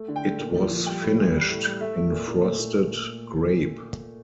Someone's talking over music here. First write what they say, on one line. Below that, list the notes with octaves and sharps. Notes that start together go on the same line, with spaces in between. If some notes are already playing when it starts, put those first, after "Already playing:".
It was finished in frosted grape.
Already playing: A3
D3
G5
A3
A#2
F3
F3
G3 G5
A2
E3
G3
A2
G3
A3 E5
A3
A#2
A#2
A3
A#2